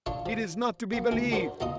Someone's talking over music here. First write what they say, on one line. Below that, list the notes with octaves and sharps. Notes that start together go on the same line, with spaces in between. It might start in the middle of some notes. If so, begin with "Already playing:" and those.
It is not to be believed!
D4 F4 C#5 C#6
F3
A#3 B3
D2 E3
D4 F#4 A#4 C5 C#5
D#2 B2 F4 D#5 D#6